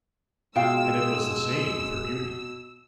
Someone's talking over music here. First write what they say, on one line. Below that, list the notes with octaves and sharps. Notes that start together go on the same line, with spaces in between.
And it was the same with her beauty.
B2 G#3 F4 F5 G5 E6